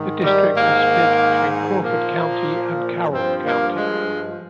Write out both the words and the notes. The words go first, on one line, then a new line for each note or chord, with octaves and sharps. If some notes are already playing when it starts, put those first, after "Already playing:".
The district is split between Crawford County and Carroll County.
Already playing: G#2 D#3
G3
G#2 D#3 A#3
A#2 F3 A#3
G2 F3 C4
A#3
G#3